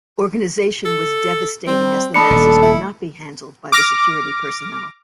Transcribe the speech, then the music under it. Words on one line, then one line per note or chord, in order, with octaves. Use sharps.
Organization was devastating as the masses could not be handled by the security personnel.
A4
G3 C4
A3 D4 A4 B5 C#7
D#1
E4
D6 F6 A#6